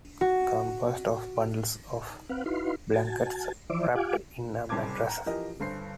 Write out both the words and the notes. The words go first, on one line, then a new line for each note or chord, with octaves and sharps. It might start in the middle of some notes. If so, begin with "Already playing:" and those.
Composed of bundles of Blankets wrapped in a Mattress.
F#4
C4 B4 F5 F#5
D#4 E4 F#4 B4 F5 C6
F#4 G#5 A5
E3 F3 C5 D5 E5 D6
F4 G4 F5 F#5 G#5 D6
F#1 C2 C4 A5 D6 G#6
A#5
E3 F3 G4 A#4 D#5
G1 G2 C5 C7